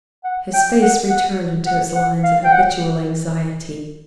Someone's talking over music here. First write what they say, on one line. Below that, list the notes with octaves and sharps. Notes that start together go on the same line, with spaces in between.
His face returned into its lines of habitual anxiety.
F#5
G5
F#5
F#5
F#5
F#5
F5
G5
F#5